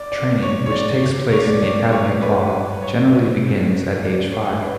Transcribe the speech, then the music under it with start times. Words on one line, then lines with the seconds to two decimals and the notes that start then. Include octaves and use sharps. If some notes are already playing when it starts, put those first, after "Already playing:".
Training, which takes place in the Academy of Law, generally begins at age five.
Already playing: D5
0.12 D5
0.42 C#5
0.66 C#5
0.72 D5
1.32 C#5
1.47 D5
1.62 D5
1.92 C#5
2.22 B4
2.82 C#5
4.02 D5
4.32 C#5
4.62 B4